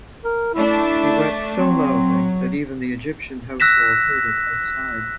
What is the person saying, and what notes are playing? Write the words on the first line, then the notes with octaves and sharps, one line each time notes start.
He wept so loudly that even the Egyptian household heard it outside.
A#4
A3 D4 E4
F#3 C4
E6 F#6 A#6 B6 E7